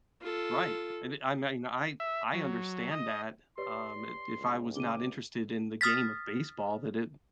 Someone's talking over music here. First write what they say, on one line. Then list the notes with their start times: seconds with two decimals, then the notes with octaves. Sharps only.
right, and I mean, I I understand that, um, i if I was not interested in the game of baseball, that it
0.22 F4 A4
2.00 E5
2.34 F#3
2.91 D#5
3.58 G4 B4 C#5 D5 C6
4.36 C#2
4.76 C#3 A#3 D6 D#7 G7
5.81 D#6 F6 A6 B6